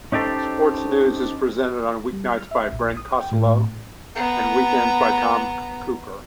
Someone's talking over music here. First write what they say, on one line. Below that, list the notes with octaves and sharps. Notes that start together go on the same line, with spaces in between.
Sports news is presented on weeknights by Brent Costelloe and weekends by Tom Cooper.
C#4 D#4 G4 A4 C5
G3
F6
E5
A#1
D#6
G5
A2
B3 A#5